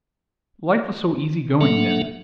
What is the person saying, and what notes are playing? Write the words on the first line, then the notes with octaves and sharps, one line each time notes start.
Life was so easy-going then.
F#3 A#3 D4 A4 E5 F#5